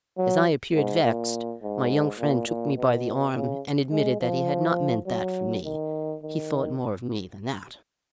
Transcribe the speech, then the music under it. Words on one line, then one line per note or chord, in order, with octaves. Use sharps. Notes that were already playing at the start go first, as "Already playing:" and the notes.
As I appeared vexed, my young friend took me by the arm and admitted that he had not meant that for me; he thought more of me than that.
F#3
G#2
A#2
G#2
A#2
A#2
B2
C#3
G#3
F3
F#3
D#3
D#3